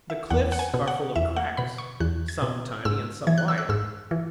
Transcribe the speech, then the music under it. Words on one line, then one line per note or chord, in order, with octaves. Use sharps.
The cliffs are full of cracks, some tiny and some wide.
E5
E2 F#5
F#5
G#5
B2
F#5
E2 E5
F#5
B2 B5
C#6
E2 F#6
G#6
B2
G#2 E6
E3 G#6
F#6
E6
F#6
G#2 E6
E3